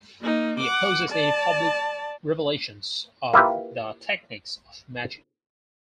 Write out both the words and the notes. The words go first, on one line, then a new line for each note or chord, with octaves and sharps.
He opposes any public revelations of the techniques of magic.
A#3 D#4
F#5 D6
D5 A5
A#3 E4 F4 G4 B4